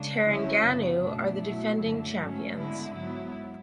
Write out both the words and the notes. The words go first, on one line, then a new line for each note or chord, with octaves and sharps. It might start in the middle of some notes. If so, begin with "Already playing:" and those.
Terengganu are the defending champions.
Already playing: C#3 G#3 D4
D3 F#3 C#4 E4
F#2 C#3 F#3 B3
B2 A3 D4
B2 F#3 A3 E4
F#2 D3 A3
G#2 F#3 A3 C#4
D3 G#3 B3 E4
G#2 F#3 B3 E4